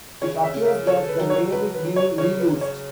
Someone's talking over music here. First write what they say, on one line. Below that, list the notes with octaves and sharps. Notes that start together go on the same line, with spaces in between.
It appears that the name is being re-used.
C#3 C#5
E5
C#3
E5
A4 C#5
B4
F#3
C#5
F#3 B4
B4
F#3
C#5
C#3 C#5
B4
C#3
C#5